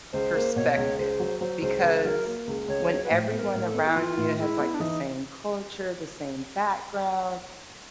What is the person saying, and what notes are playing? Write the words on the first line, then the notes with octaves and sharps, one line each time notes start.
perspective, because when everyone around you has, like, the same culture, the same background,
C#2 C5
A#3
B2 C#5
C#2
C#2 C5
F#3
F#3 C5
C#2 C5
C#2 B4
F#3 A#4
A#3
C#2
C#2 C#5
F#3
B4
A2 C5
B3
A#4
A2
A4
B3
E4
E3 F4
A2
G#3 E4
B3
D4
E3 D#4